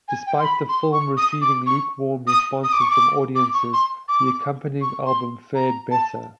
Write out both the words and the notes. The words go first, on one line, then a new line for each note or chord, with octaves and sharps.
Despite the film receiving lukewarm responses from audiences, the accompanying album fared better.
G#5
G5
C6
B5
C6
C#6
D#6
D6
C#6
D#6
D#6
D6
C#6
D6
D6
C#6
C6
D6
C#6
C6
A#5
A5